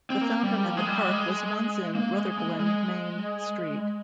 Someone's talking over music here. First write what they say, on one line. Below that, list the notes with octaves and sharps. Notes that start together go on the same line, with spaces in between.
The fountain in the park was once in Rutherglen Main Street.
C4
A#3
G3
F3
G#3
G3
G#3
A#3
G#3
G#3
G#3